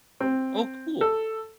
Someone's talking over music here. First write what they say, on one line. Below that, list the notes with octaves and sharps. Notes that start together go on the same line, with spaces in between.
Oh, cool.
C4
A4